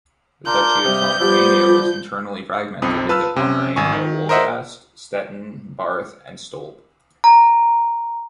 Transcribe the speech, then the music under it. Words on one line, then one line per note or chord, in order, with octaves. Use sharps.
The Duchy of Pomerania was internally fragmented into Pomerania-Wolgast, -Stettin, -Barth, and -Stolp.
D4 F4 A#4 G6
G2 C3 G3 G4 D#6 F6
F3 G3 B3 G4 D5 B5
F4
B1 F2 C4 D#6
F4 B4 A5 E6 F6
C3 C#4
G#1 G#5 C#6
D#3
A#4 C5 D#5 E5 F#5
A#5